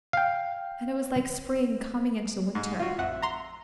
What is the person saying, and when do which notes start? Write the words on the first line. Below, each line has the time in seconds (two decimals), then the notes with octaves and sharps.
And it was like spring coming into winter.
0.13 F5 G5
2.55 G#2
2.79 F4 F#4
2.98 A1 F2 E5 F#5
3.22 A#5 C6